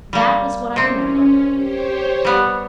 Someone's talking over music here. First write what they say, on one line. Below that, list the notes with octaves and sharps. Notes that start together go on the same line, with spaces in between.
That is what I remember.
G3 A#3
C3 C4 C#4
G4 C5 C#5
G3 B3